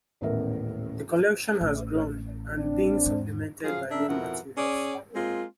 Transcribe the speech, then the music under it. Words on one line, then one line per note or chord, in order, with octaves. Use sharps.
The collection has grown and been supplemented by loan materials.
D#1 A1 A2 B3 A#4 E5
A1
C4 D4
E2 G#2
F3 F#3 G#4 F5
D4 A#4 E5
F2 B2 E4 A#4 F#5
C#4 G#4 D5
G#3 A#3 C4 F4